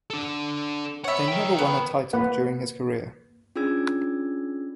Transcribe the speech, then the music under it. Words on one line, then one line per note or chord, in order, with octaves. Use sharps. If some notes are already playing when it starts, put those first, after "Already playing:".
They never won a title during his career.
D4 A4
C#5 E5 F#5 B5
A#4 G5
B3
A#3 B4 F#5
C#4 D4 F4 G#4 E6 G#6